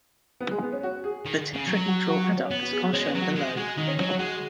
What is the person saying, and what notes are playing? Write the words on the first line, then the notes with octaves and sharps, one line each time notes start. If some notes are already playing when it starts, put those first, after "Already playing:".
The tetrahedral adducts are shown below.
B3
G#3
B3
C#4
F#4
G#4
D#3
C#3
F#3
F#4
F#4
F#4
C#4
B3
F#4
G#4
F#4
G#3 C#4
B3
F#3
F#4
G#3
G#3 F#4
D#3 D#4
C#4
F#3 C#4
F#4
G#3 F#4